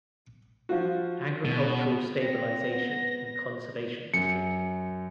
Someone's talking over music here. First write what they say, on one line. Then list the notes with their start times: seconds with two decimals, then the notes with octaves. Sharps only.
Agricultural Stabilization and Conservation District.
0.69 F3 F4 F#4
1.45 B2
2.21 C4 A#6
2.71 B3
4.14 F#2 C#7